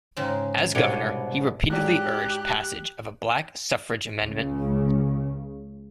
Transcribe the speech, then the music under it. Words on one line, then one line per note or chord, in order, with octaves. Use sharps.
As governor, he repeatedly urged passage of a black suffrage amendment.
G#2 C#3 G#3
C2 B2 D4 C#5 G5
G#2 F#3 D4 G4 F#6
C#2 C#3